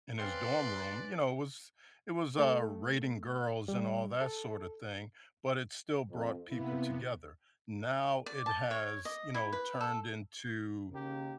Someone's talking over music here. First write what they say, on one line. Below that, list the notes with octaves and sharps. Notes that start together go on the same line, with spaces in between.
in his dorm room, you know? It was it was, uh, rating girls and all that sort of thing, but it still brought people together. Now it has, you know, turned into,
C#3 C4 C#4 B4 D5 C6 F#6
A3
G3
A4
F2
C3 A#3 B3 E4
D5
A5
C#5
D#5
E4
B4
A4
D#2 C#3 A#3 G4